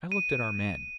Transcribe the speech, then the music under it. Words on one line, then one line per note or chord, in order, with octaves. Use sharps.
I looked at our men.
D#7